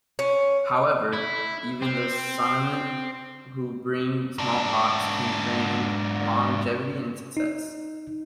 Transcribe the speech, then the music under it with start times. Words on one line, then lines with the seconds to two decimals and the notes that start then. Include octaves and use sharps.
However, even the Sonnimne, who bring smallpox, can grant longevity and success.
0.19 C#4
1.13 E4
1.82 C4
4.38 G#2 D4
7.37 D#4